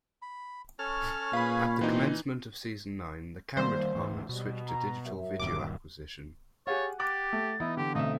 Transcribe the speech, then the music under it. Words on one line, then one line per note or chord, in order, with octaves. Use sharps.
At the commencement of season nine, the camera department switched to digital video acquisition.
B5
C#4 A4 C#5 F6
A#2 G#4 B4 F5 B5
E3 C4 D#4 G4
D#3 G3 A#3 C5
G#2 E3 A3
B2 G3
A#5
F#3 A#4 E5
D#1 G2 D#3 D6
G4 G#4 C#5 F5 F#5 A6
G4 D6 F#6 A6
A3
E3 B3 D#4 E4
D3 G4
B1 D3 A3 C4 D#4 E5